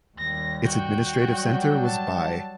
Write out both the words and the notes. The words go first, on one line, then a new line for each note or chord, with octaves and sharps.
Its administrative centre was Buy.
D#2 G3 A#6
F#4 G5
F#3 G3
A5